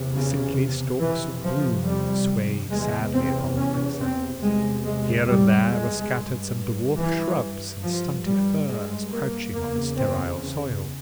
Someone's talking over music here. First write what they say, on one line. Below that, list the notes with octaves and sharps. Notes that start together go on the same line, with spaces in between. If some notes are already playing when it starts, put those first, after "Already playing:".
Sickly stalks of broom swayed sadly upon the quicksands; here and there were scattered some dwarf shrubs and stunted firs crouching on the sterile soil.
Already playing: E2 C3
C#3
F2 C3 E3
F3
G3
E2 C3 G#3
C4
C#4
C4
E2 C3 G#3
G#3
G3
G#3
G2
E3
G2 F3
G3
G#3
A#3
E2 C#3 A#3
C4